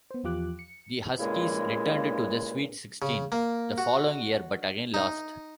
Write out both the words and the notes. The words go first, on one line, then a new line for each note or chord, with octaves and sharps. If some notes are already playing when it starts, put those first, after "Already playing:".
The Huskies returned to the Sweet Sixteen the following year, but again lost.
B3 C5
E2 F3 F4 G4 D6 F#6
C#7
G2 A#2 C#3 G#3 A#3 E4
C#3
A#3
F#4
D#4